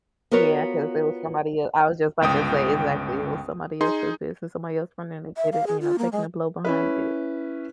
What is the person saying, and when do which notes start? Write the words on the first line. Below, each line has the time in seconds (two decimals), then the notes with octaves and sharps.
Yeah, 'cause it was somebody e and I was just about to say, exactly, it was somebody else's business, somebody else trying to get it, you know, taking a blow behind it,
0.31 B3 F4 F#4 A#4 B4 C#5
2.21 G1 C#2 G5 D#6
3.81 D#4 G#4 C6
5.37 E5
5.52 F5
5.67 G#4
5.81 F4
5.98 A#3
6.12 G#3
6.65 C#4 E4 B4